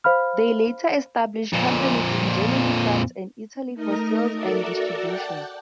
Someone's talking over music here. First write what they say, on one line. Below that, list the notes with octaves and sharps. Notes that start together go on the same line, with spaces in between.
They later established companies in Germany, France and Italy for sales and distribution.
C5 F5 B5 F6
F2 A#2
A3 D#4 A#4 D#5
F#4 A4 A#4 D5 E5
D5 F#5 G5 A5